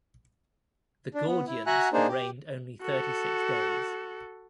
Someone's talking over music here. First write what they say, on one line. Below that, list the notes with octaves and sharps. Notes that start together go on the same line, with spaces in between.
The Gordians had reigned only thirty-six days.
D4
B3
E4
F#4 E5 F#5 G#5 A#5 F#6
A#3 D4 D#4 G#4 C5
G4
F#4 A4